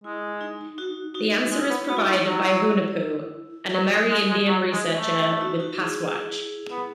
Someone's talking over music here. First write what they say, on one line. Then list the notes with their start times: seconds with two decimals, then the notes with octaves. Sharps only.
The answer is provided by Hunahpu, an Amerindian researcher with Pastwatch.
0.04 G#3 E4
0.41 D#4
0.78 D#4 F#4
1.14 D#4 F#4
1.52 G#3 E4
1.70 B3
1.89 B3 F#4
1.97 E4
2.04 A3 D#4 F#4
2.26 F#3 E4
3.74 F#3
3.93 G#3
4.11 G#3
4.30 G#3
4.48 F#3
4.73 G#3
4.97 A3
5.22 E4
5.41 D#4 F#4
5.59 D#4 F#4
5.78 E4 G#4
6.71 B3